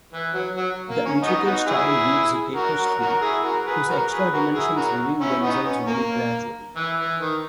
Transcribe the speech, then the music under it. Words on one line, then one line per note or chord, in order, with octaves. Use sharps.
The intricate style weaves a tapestry whose extra dimensions reveal themselves only gradually.
E3
F#3
F#3
A#3
C#4
B3 D#4
D#4 F#4
E4 G#4
F#4 A#4
F#4 A#4
F#4 A#4
E4 G#4
F#4 A#4
G#4 B4
F#4 A#4
G#4 B4
F#4 A#4
E4 G#4
F#4 A#4
C#4 E4
B3 D#4
C#4
A#3
E3
E3
D#3